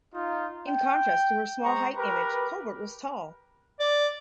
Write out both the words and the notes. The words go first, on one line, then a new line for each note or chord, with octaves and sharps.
In contrast to her small height image, Colbert was tall.
D#4 F4
G5
G#3 C5 A#5 C#6
G4 A#4 B4
D5